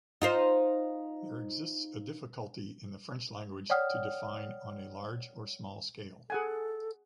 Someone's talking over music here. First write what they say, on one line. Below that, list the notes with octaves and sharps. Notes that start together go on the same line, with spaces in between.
There exists a difficulty in the French language to define on a large or small scale.
D#4 F4 C5
C#5 D5 F#5 G5 D#6 F6
G#4 A4 F#5 G#5